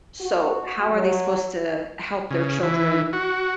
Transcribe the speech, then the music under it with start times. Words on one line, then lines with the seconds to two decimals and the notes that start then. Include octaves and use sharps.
so, how are they supposed to help their children
0.21 F#4
0.94 F#3
2.31 C#3
2.63 E3
3.13 F#4